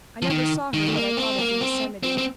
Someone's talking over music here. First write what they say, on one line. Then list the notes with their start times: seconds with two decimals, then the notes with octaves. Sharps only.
I never saw her but I thought of the Yosemite.
0.22 F3
0.30 D#3
0.74 D#3
0.88 A3
0.95 A#3
1.17 C4
1.39 A#3
1.61 C4
2.03 C4
2.18 C4